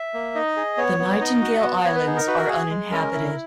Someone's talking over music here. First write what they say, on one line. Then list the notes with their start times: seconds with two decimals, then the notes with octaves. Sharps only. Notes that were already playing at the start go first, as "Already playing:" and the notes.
The Nightingale Islands are uninhabited.
Already playing: E5
0.14 A#3
0.35 D#4 D#5
0.56 G#4
0.77 B3 C#5
0.99 B3
1.20 D#4 D#5
1.42 F#4
1.64 B3
1.74 F#5
1.84 B3 C#5
1.95 B4
2.05 D#4 G#4
2.16 A#4
2.27 F#4 B4
2.38 A#4
2.48 G#4
2.70 G#3
2.91 C#4 A#4
3.13 E4